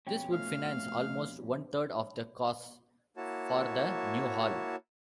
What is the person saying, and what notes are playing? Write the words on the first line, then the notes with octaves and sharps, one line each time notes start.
This would finance almost one third of the costs for the new hall.
F2 B2 C#4 G5
A3 F5
A#3 E4 F#4 C#5 A5